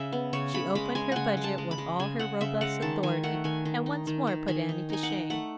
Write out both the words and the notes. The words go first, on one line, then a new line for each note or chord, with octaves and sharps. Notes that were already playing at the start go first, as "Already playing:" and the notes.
She opened her budget with all her robust authority, and once more put Annie to shame.
Already playing: C#3 E5 G#5
B3
C#3 C#5
C#3 B5
G#3 B5
G#3 G#5
C#3 F#5 G#5
G#3
A5
G#3
B5
G#3
C#3 G#5
C#3 F#5
C#3 E5
G#3 F#5
D#3 A5
D#3 G#5
A3 F#5
D#3 G#5
D#3
D#4
D#3
D#3
D#3 G#5
D#4
D#4 G#5
F#5
D#4
A3 F#5